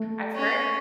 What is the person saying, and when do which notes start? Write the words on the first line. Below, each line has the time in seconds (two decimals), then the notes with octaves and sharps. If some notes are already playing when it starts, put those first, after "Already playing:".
I've heard
Already playing: A3
0.35 C#4